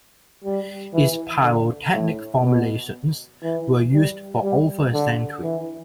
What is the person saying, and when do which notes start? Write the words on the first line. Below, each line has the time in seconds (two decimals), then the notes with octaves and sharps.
Its pyrotechnic formulations were used for over a century.
0.44 G3
0.93 E3
1.43 D3
1.94 A2
2.43 B2
3.43 E3
3.93 G3
4.43 G3
4.93 D3
5.42 E3